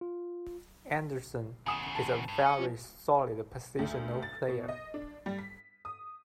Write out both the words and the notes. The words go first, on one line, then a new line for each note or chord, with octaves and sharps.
Andersson is a very solid positional player.
F4
E2 C#3 G#5 D#6 E7
A5
G2
C#4 C#5
F3
D2
A6
B2
D#5
D4
G3
B6
D#6